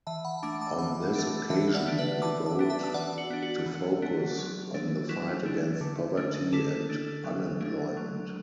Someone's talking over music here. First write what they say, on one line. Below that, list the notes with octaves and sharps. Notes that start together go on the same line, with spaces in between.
On this occasion, he vowed to focus on the fight against poverty and unemployment.
E3 E5 A5
F#5 B5
A3 D4 A5 D6
A5 D6
E3 F#5 B5
A3 D4
E3 E5 A5
D5 F#5
B3 D4
B4 E5
E3 A5 D6
A5 D6
B3 D4
E5 A5
A5
E3 D5 F#5
F#4
B3 D4
F#4
E3
B3 D4
F#3
A3 D4
F#3 E4
A3 D4
D3
A3 D4
D3 E4 A4
A3 D4
F#3
A3 D4
F#3